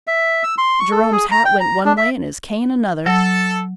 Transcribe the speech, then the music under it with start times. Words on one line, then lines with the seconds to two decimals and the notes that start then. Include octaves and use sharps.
Jerome's hat went one way and his cane another.
0.07 E5
0.43 E6
0.58 C6
0.80 C#6
0.91 A4
1.12 G#4
1.31 A#5
1.45 G5
1.60 A#5
1.85 D4
1.97 E5
3.06 F#3 A4